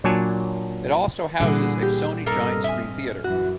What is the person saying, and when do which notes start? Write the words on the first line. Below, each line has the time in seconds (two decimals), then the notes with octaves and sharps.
It also houses a Sony Giant Screen theater.
0.04 A#2 F#3 D4 C#5 G#5 A5
1.40 A#2 D3 E3 G3 A#3 F#4 G#4
1.83 G4
2.26 G2 C3 A#3 A4 A#4 D#5 F6
2.64 E5 G#5
3.24 F#2 E3 F#4